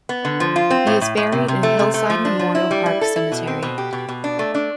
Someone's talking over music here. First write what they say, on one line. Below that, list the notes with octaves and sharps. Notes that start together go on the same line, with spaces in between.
He is buried in Hillside Memorial Park Cemetery.
B3
D3
F3
F4
C4
A2
A2
A2
C3
C3
A3
C3
A3
F3
D4
F3
E4
G3
E4
A4
E4
B2
C4
B2
G4
B2
B2
D4
A3
D4